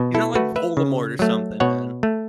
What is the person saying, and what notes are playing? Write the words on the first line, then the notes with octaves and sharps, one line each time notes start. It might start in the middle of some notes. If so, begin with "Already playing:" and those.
he's not, like, Voldemort or something, man.
Already playing: B2
E4 A4
A3 F#4 B4
B4 E5
C#3
F#3 A3
B2 C#5 F#5
A3